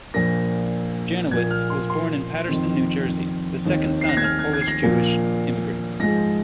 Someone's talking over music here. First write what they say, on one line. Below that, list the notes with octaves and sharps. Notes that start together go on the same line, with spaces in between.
Janowitz was born in Paterson, New Jersey, the second son of Polish-Jewish immigrants.
A#1 A#2 A#3 A#6
A#1 A#2 A#3 G#6
F6
C6
C6
F2 D#3 C4
D#2 D#3 C4
C7
A#6
G#6
F6
G#6
G#6
C7
A#6
A#1 A#2 A#3
G#2 F3 G#3 A#6